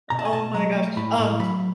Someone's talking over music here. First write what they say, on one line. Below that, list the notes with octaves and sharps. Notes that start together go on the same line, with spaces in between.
Oh my gosh, um,
B2 A#5
A5
G#5
B2 A5
F#3 A#5
A3
A2 B5
A2
F#3 B5